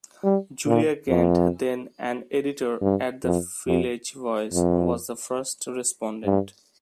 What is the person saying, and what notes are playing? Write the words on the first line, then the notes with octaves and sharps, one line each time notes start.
Julia Kent, then an editor at the Village Voice, was the first respondent.
G3
A#2
F2
G2
F2
F2
F2
G2